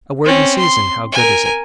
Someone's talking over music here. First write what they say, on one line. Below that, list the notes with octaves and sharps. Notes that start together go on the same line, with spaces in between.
A word in season, how good is it?
C4 C#4
C6
A#4 G#5